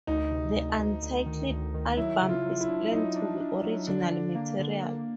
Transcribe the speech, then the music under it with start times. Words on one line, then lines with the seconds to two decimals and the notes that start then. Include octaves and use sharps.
The untitled album is planned to be original material.
0.07 D2 D#4
0.31 C3
0.55 D2
0.78 D2
1.02 D2
1.26 D#3
1.49 D2
1.74 D#3
1.97 F#3 E4
2.21 C#3
2.29 F4
2.45 F#3
2.61 E4
2.68 D4
2.92 F#3 D#4
3.16 D4
3.40 D4
3.64 F#3
3.87 D3 D4
4.11 D3
4.35 A#3
4.59 D3
4.83 A#3